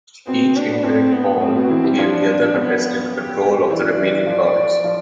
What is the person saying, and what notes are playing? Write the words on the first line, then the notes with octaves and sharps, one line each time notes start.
Each incorrect call gave the other contestant control of the remaining cards.
B2 B3 C4
D4
B3
A2 A3 C4
B3
A2 A3 C4
B2 B3
E3 E4
G3 G4
F3 D4 F4
B3
G4
E3 E4 D5
E3 E4
F3 F4 D5
F3 F4